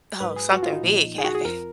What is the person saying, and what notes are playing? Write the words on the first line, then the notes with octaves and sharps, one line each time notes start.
Oh, something big happened,
G#2 F#3 B4
G#4
F#4
F4
D#4
A#2 F3
G#4
F#4
G#4
F2 F3 A#4